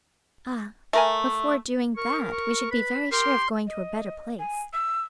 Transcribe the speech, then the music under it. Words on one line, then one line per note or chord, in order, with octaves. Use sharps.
"Ah, before doing that we should be very sure of going to a better place."
A3 A#4 G#5
A#4 C#6
C#6
B4 B5
G4 A#4 C6
D#5
G#5
E6